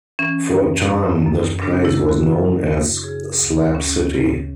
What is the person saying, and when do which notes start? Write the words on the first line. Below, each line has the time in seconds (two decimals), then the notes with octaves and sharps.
For a time this place was known as "Slab City".
0.19 E3 C#4
0.54 F#2
0.90 F#2
1.26 F#2
1.62 C#3 D4
1.85 E4
1.97 F#2
2.09 F#4
2.32 F#2
2.68 C#3
3.04 C#3 G#4
3.39 D2
3.75 D2 C#4
4.10 C#3